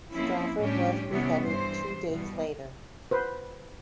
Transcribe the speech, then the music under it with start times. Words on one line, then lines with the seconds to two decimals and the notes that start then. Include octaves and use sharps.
Strafford was beheaded two days later.
0.13 F3 A#3 C4 C#4 E4
0.58 A2 G3 C#4 D4 G4
1.09 C3 E3 G3 B3 C#4
1.43 G2 E3 C5
2.10 B2 G3
3.11 B4 C5